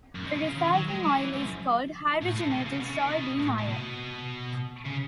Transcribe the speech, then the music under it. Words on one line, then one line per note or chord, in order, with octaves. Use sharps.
The resulting oil is called hydrogenated soybean oil.
F#2
G#2
B2
C#3
D#3
F#3
G#3
F#3
E3
G#2
F#2
A2
A2
B2
C#3
B2
C#3
D#3
B2
A2
A2
B2
C#3